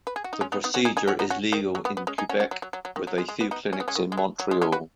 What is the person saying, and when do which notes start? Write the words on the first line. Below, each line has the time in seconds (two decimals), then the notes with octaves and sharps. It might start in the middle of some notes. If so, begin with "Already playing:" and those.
The procedure is legal in Quebec, with a few clinics in Montreal.
0.07 B4
0.16 G#4
0.24 F#4
0.33 D#4
0.41 G#3 C#4
0.52 B3 D#4
0.64 B3 D#4
0.74 C#4 F#4
0.85 D#4 G#4
0.97 D#4 G#4
1.08 C#4 F#4
1.19 B3 D#4
1.30 C#4 F#4
1.53 D#3
1.75 F#3
1.85 B3
1.97 B3
2.07 G#3 C#4
2.18 D#4 G#4
2.29 C#4 F#4
2.40 C#4 F#4
2.51 F#3
2.62 F#3
2.73 F#3
2.85 F#3
2.96 D#3
3.07 F#3
3.18 G#3
3.29 G#3
3.41 B3
3.51 B3 D#4
3.73 C#4
3.80 B3
3.88 G#3 C#4
3.95 D#3
4.12 G#3
4.17 F#3
4.40 F#3
4.51 G#3
4.62 G#3 C#4
4.72 F#4 B4